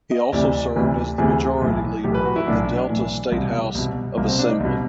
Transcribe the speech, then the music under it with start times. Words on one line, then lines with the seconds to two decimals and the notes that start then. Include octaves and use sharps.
He also served as the Majority Leader of the Delta State House of Assembly.
0.11 D#5
0.32 D2 C3 E3 D5
0.76 D2 C3 E3
1.18 D2 C3 E3 G#4
1.61 B1 A2 E3
2.04 B1 A2 E3 G4
2.14 B4
2.25 F#4
2.36 E4
2.46 B1 A2 E3 D4
2.89 B1 A2 E3
3.32 C2 B2
3.75 C2 B2
4.17 C2 B2 A#3
4.28 C4
4.39 D4
4.49 D#4
4.60 C2 B2